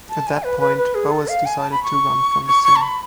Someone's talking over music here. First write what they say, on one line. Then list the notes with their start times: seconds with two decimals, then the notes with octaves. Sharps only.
At that point, Boas decided to run from the scene.
0.10 A5
0.27 G#5
0.43 B4
0.60 B4
0.77 B4
0.95 G#4
1.12 A4
1.28 F5
1.45 G#5
1.59 A5
1.71 B5
1.83 C#6
2.47 C#6
2.64 C#6
2.76 A5
2.82 B5